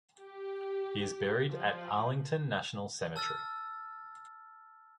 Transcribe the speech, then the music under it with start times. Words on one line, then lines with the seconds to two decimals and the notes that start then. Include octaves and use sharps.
He is buried at Arlington National Cemetery.
0.19 G4
1.49 F3
3.16 A5 E6 F6 A6